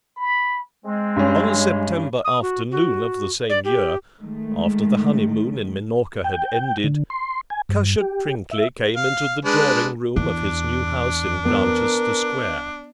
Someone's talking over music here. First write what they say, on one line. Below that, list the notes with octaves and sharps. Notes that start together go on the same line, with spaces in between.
On a September afternoon of the same year, after the honeymoon in Minorca had ended, Cushat-Prinkly came into the drawing-room of his new house in Granchester Square.
B5
G#3 C4
G2 C#4
D#6
F#4
F#4
D5
G4
D#3 G#3 A3
G5
D3
C6
G#5
G2
G4
E5
F5
G#3 D4 B4
E2 D4
B3 A#4